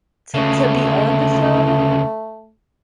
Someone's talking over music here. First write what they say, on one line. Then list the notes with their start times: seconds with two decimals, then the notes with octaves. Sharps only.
To to be on the show?
0.34 D2 C#3 A3